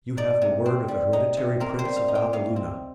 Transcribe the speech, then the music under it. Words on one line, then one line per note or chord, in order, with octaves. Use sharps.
You have the word of the hereditary Prince of Valleluna.
D#4 D5
C3
C4
G3
D#4
C3
C4 A#4
C5
G3
F5
D#4
G5
C3 F5
C4